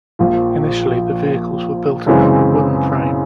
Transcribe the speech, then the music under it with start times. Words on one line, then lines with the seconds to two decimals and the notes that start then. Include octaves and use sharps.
Initially the vehicles were built around a wooden frame.
0.19 A#1 A#2 F3
2.06 F#2 C#3 E3 G#3 C4